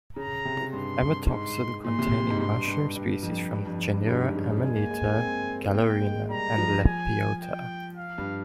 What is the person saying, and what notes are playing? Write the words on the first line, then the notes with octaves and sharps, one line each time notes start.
Amatoxin-containing mushroom species from the genera "Amanita", "Galerina" and "Lepiota".
C#3 A#5
C3
G2 C6
G#2 C6
A#2 C6
C3
C3
G#2
G2 C6
G2
G2
F2
G2
F2
F2
G2
G2
G#2
C#3
C#3
G#3 G#5
A#3
G#3
A#3
C4
A#3 G5
G#3
G3 A#5
F3
G#5
G5
F5
G2